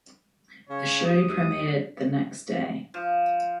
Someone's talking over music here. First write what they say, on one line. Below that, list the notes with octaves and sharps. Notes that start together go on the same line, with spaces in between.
The show premiered the next day.
C#3 C#5
D#2 D#6
F3